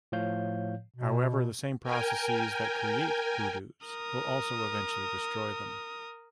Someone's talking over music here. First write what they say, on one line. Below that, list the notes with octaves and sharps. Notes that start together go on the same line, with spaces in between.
However, the same processes that create hoodoos will also eventually destroy them.
A2 F3 C#5 F5 G6
B2
A#4 G5 G#5
A#4 D#6